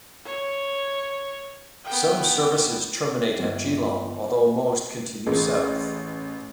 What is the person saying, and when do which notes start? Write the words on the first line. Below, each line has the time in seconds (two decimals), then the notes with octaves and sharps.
Some services terminate at Geelong, although most continue south.
0.25 C#5
1.84 B3 G5
3.39 G1
5.27 A1 G#4